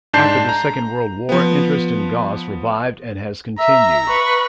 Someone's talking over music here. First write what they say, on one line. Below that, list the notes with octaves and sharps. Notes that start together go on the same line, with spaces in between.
After the Second World War interest in Goss revived and has continued.
G#2 D4 A5 G6 C7
A#5
F3 B3
E5 A#5 E6
B4 C#6